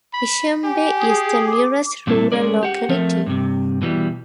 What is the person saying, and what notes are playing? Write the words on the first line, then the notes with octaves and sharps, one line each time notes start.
Ishimbay is the nearest rural locality.
B5
G4 G#5
G#4
D6
A#2 G3 A3 C4 E4
G#3 C#4 A#4 D5
G4 F#5
F3 A3 C4 A#4
G2 C3
B2 E3 F#3 G3